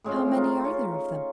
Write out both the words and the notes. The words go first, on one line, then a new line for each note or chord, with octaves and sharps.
"How many are there of them?"
A2 G#3 C#4 F4
D#4 F4 A#4
C#5